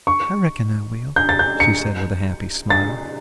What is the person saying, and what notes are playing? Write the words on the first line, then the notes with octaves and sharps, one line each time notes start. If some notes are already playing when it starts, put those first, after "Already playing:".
"I reckon I will," she said with a happy smile.
C#6
G6
A6
G6
C#7
A6